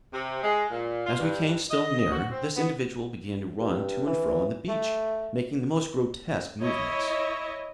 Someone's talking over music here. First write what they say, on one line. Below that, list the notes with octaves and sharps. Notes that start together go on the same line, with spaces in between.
As we came still nearer, this individual began to run to and fro on the beach, making the most grotesque movements.
C3
G#3
A#2
F4
G2
D#5
F#4
C4
B3
G2
E3
A3
E4 C#5 D#5